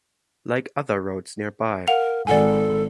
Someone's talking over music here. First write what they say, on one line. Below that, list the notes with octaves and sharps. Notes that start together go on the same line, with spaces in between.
Like other roads nearby.
A#4 F5 F#5 F7
G#1 A4 D5 F#5 G#5